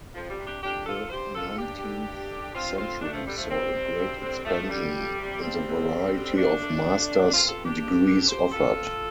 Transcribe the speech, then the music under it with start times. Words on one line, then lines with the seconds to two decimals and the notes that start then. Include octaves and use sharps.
The nineteenth century saw a great expansion in the variety of master's degrees offered.
0.14 F2 F3
0.30 G3
0.38 C3
0.46 D4 G4
0.62 F2 D4 G4
0.86 D3 F4 A4
1.10 G2 G4 C5
1.34 D3 F4 A4
1.58 G2 D4 G4
1.82 D3
2.06 G2
2.29 D3
2.54 G2 C4 F4
2.78 D3 C4 F4
3.01 G2 A3 D4
3.14 F3 A3
3.26 D3 G3
3.38 F3 A3
3.49 F2 G3 C4
3.73 C3
3.98 G2
4.21 D3
4.45 G2 F3 A3
4.69 D3 G3
4.94 F2
5.17 C3
5.41 G2 G3 C4
5.65 D3
5.89 G2
6.13 D3
6.37 G2 A3 D4
6.61 D3
6.85 F2
7.09 C3
7.32 F2 C4 F4
7.48 F4 A4
7.56 C3
7.65 D4 G4
7.81 G2
8.04 D3
8.28 F2 G4 C5
8.52 C3 F4 A4
8.76 F2